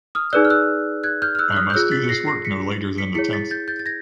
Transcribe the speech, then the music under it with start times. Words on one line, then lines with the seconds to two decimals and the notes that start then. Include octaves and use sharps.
I must do this work no later than the tenth.
0.15 D#6 F6
0.33 D#4 G#4 B4 D5 E6 F#6
0.45 F6
0.50 E6 F#6
1.04 F#6 G#6
1.22 F6 G6
1.35 F6
1.39 E6 F#6
1.52 F#6
1.57 D#6 F6
1.70 G6
1.74 F4 G#4 C#5 E6 F#6
1.91 A6 B6
2.04 C#7
2.09 A#6 C7
2.27 A#6 C7
2.45 B6 C#7
2.98 B6 C#7
3.15 E4 G#4 C#5 B6 C#7
3.33 A6 B6
3.51 G6 A6
3.68 G6 A6
3.79 A6
3.86 G#6 A#6